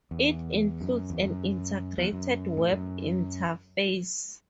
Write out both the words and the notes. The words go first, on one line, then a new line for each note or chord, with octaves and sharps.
It includes an integrated web-interface.
E2
F#2
E2
F#2
E2
F#2
A2
F#2